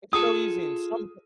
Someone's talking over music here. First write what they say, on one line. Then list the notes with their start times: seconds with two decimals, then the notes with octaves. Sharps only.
It's so easy and some
0.13 F4 G#4 A4 D#6